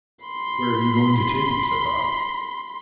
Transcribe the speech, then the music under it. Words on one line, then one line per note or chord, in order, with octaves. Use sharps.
'Where are you going to take me?' said Bob.
B5 C6